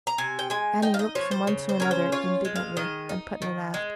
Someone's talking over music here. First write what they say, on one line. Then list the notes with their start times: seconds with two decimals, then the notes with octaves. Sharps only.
Annie looked from one to another indignantly, and Putney laughed.
0.07 A#5
0.18 C3 G#5
0.39 G5
0.50 G#3 G#5
0.82 D#4 G5
0.94 F5
0.99 D#5
1.15 F3 C#5
1.31 C5
1.47 C#3
1.69 C5
1.80 C#4 A#4
1.91 C5
2.12 F4 C#5
2.45 G#3
2.56 F5
2.77 D#3 D#5
3.09 D#4
3.42 D#3
3.74 G#3